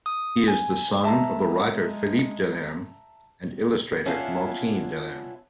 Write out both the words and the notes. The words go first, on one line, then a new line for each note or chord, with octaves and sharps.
He is the son of the writer Philippe Delerm and illustrator Martine Delerm.
D#6
G#5
G#3 E5 A5 A#5
B3 C#4 D4 E4 F4